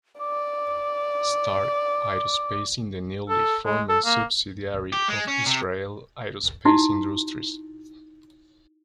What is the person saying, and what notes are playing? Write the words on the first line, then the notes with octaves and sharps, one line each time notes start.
Stark Aerospace is the newly formed subsidiary of Israel Aerospace Industries.
D5 D6
A4
G#3
A4
A#3
G4
G#3
C#4
C3
D#4 E4 F#4